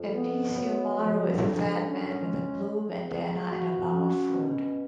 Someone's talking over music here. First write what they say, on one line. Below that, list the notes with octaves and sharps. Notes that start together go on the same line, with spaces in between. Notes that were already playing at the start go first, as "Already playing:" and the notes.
Ebisumaru is a fat man with a blue bandana and a love of food.
Already playing: F2
B3
F#3
F3
D3
C#4
G#3
G#3
F3
F#4
C#4
B2